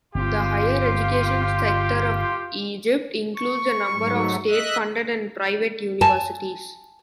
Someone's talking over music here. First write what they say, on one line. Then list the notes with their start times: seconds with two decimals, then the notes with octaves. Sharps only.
The higher education sector of Egypt includes a number of state-funded and private universities.
0.15 G1 C4 F4 G4
3.37 C#6
3.92 G#2 F#3 A3
4.48 D#5 E5 F#6
6.01 G#5 A5